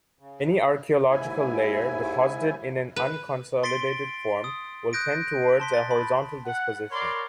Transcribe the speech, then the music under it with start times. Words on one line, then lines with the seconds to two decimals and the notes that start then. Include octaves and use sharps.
Any archaeological layer deposited in an unconsolidated form will tend towards a horizontal disposition.
0.19 C#3
1.11 D#2 G#2 E4 G#5
2.96 B4
3.63 C6 A6 B6 C7 D7 G7
4.44 D#6
4.93 D#6 F#6 G6 A#6 D7
5.60 A5 C6 B6
5.74 A6
5.91 B5
6.46 F#5
6.91 A#4 C#5 D5 B5 C6